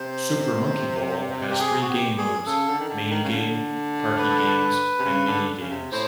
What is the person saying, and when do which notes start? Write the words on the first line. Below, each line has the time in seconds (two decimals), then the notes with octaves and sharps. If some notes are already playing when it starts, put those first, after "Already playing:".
"Super Monkey Ball" has three game modes: main game, party games, and mini-games.
Already playing: C3 C5
1.51 G4
1.60 G#4
1.82 F#4
1.89 G4
2.18 G#4
2.46 C#3 A4
2.68 D3
2.80 D#3
2.90 D3
3.11 D#3
3.24 C#3
3.33 D3
4.19 B4
4.99 C3
5.05 C#3
5.27 D3
5.61 C#3
5.70 C3
5.92 A2 C5